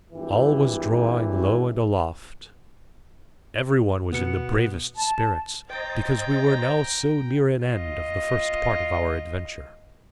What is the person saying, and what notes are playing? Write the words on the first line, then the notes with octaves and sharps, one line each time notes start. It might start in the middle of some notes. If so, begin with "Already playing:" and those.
All was drawing alow and aloft; everyone was in the bravest spirits because we were now so near an end of the first part of our adventure.
G#1 G2 E3 G4
B2 B3 C#7
A5
C5 D#5 G5 A#5 A6
F4 D#5